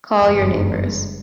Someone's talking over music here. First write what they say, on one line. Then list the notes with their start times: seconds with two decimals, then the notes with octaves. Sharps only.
Call your neighbors!
0.20 F#1 E2 G2 G#3